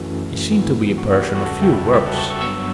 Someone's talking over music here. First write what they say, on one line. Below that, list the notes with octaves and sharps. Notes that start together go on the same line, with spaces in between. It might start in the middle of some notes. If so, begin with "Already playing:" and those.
He seemed to be a person of few words.
Already playing: F#2 E3 A3 C#4 F#4 A4
G2 E3 B3
F#4
F#4
G4
B4
F#4 A4
E2 C#3 G3 F#4 A4
E5 G5
B5
F#5 A5
E5 G5
F#5 A5
A5 C#6
C#6 E6
G2 F#3 B3 C#6 E6